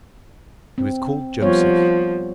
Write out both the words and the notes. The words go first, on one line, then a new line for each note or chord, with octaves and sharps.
He was called Joseph.
C4
F3 G3 B3 C#5